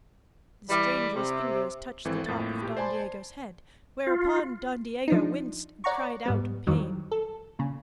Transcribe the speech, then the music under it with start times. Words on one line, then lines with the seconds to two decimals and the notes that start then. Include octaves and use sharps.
The stranger's fingers touched the top of Don Diego's head, whereupon Don Diego winced and cried out in pain.
0.70 E3 G3
1.15 C3
2.05 G#1 E3 C4 A4
2.26 F2 A2 A#3 A6
2.62 A#2 G4
2.77 C5 D5 G#5 A5 B5 C6
4.07 F4
5.08 F3 D4 D#4
5.84 C#5 D5 F#5 A#5 C#6
6.26 G#2 G3 B3
6.67 F2 D#3 E3 F#3 G3
7.11 A4
7.59 A#2 C#3